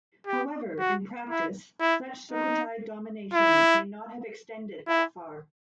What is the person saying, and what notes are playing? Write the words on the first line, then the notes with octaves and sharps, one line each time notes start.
However, in practice, such Sukhothai domination may not have extended that far.
G4
F#4
E4
E4
D#4
E4
E4